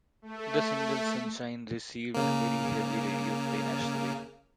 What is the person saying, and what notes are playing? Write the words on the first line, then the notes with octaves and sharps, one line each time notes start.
The single "Sunshine" received very heavy radio play nationally.
A3
C#3 A#3